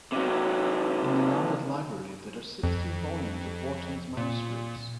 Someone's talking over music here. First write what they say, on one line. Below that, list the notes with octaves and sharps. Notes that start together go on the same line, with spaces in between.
In the Lambeth Library there are sixteen volumes of Wharton's manuscripts.
C3 F#3
F2
A#2